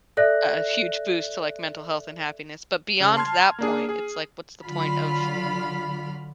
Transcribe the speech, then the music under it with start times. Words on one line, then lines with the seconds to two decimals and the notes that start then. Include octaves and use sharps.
a huge boost to, like, mental health and happiness. But beyond that point, it's like, what's the point of
0.17 A4 D5 E5 F#6 A#6
3.00 C#3
3.16 A5 C6 F6 G#6
3.59 A#3 D4 G#4
3.89 G#4
4.64 D3 F#3 F4 B5 F6